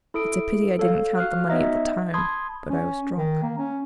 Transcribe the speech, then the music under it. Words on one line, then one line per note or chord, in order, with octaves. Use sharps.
"It's a pity I didn't count the money at the time, but I was drunk...."
E4 A4 D#6 D7
A4 C#5 F5
F#4 F5 F6 F#6
B3 D#4 C#5 D#5 E5 A#5
A5 B5 C6 D#6 G#6
C#4
D#3
A#3
C#4